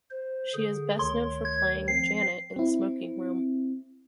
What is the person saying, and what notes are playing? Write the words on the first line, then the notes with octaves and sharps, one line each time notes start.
She is best known for playing Janet in "The Smoking Room".
C5
D3 G#4
D2 D#3 C#5 C6
G#6
F3 C4 C7
C4 E4